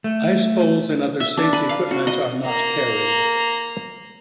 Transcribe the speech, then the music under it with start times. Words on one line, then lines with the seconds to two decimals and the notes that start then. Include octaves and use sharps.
Ice-poles and other safety equipment are not carried.
0.04 A3
1.20 E5
1.37 D4
1.53 B4
1.69 F5
1.91 F#4
2.07 D#5
2.45 A#3 A#5